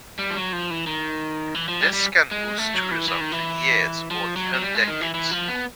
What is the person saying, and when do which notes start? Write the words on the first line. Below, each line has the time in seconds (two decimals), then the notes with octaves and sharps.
This can boost tourism for years or even decades.
0.19 G3
0.30 F3
0.36 F#3
0.53 F3
0.70 E3
0.87 D#3
1.55 E3
1.68 F3
1.81 G3
1.93 G3
2.31 G#3
2.58 A3
2.74 F#3
2.91 E3
3.08 E3
3.21 D#3
3.32 E3
4.11 F3
4.36 F#3
4.54 F#3
4.62 G3
4.75 G#3
4.87 D#3
5.01 E3
5.14 E3
5.31 F3
5.48 B3